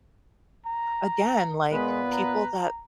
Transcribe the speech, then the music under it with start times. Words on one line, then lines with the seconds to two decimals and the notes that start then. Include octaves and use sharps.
Again, like, people that
0.66 A#5
1.72 A#2 G#3 B3 B4
2.12 A#5